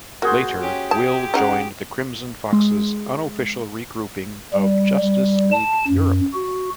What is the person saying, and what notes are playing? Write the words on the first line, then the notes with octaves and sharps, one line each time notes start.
Later, Will joined the Crimson Fox's unofficial re-grouping of Justice League Europe.
A#3 F#4 G#4 C5
C#4 G4
G4 G#4 A5
C#3 D#4 F#5
G#3
G3
G3
A5
F#2
F#4